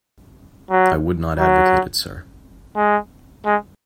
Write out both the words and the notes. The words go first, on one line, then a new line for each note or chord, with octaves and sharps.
I would not advocate it, sir.
F#3
F#3
G#3
G#3